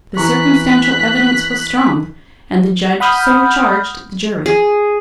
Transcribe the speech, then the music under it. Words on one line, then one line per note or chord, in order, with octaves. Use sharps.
The circumstantial evidence was strong, and the judge so charged the jury.
E3 A#5 C#6 F#6 B6
F#5 B5 D#6 F6 G6
G#4